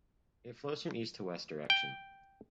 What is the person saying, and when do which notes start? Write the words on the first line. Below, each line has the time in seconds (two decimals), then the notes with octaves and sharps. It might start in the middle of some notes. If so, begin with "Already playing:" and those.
It flows from east to west direction.
1.70 G5